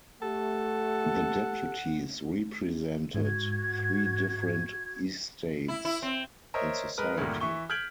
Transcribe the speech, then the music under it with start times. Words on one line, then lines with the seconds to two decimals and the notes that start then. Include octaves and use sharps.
The deputies represented three different "estates" in society.
0.22 A3 G4 A4 F#5
3.14 G#2 F#4 G#6
5.68 E4
5.85 E4
6.02 C4
6.54 A#4 C5 C#5 D#5 E5
6.98 G#3 A#4 B4 F6
7.18 D2 G2 A#2 D#3
7.40 E3 E5 C#6 G7
7.70 F6 G6 G#6 B6 D7 F#7